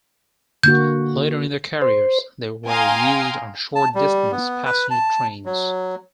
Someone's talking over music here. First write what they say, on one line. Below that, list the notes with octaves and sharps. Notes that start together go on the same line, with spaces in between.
Later in their careers, they were used on short distance passenger trains.
D3 A#3 F#4 G6
C5
F5 G5 G#5 A#5 C6 D#6
A5
G3
B3
B4
A5
F#3